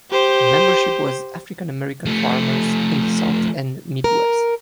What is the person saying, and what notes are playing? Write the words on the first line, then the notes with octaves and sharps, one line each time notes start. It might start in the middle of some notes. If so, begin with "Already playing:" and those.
Membership was African American farmers in the south and Midwest.
G4 C5
F3 A3
A#4